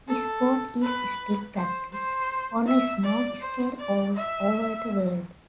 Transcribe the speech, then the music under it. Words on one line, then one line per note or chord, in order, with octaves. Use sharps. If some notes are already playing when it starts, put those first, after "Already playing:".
The sport is still practiced on a small scale all over the world.
A4
B4
C5
C5
E5
D5
C5
D5
E5